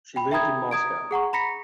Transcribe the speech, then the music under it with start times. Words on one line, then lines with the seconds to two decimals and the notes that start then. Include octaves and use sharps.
She lived in Moscow.
0.16 G5 B5
0.31 E5 G5 A#5 B5 D#6 G#6
0.71 A#5 D#6 G#6 D7
1.11 G#4 F#5 A#5 C#6
1.33 A#5 B5 A#6 B6 C#7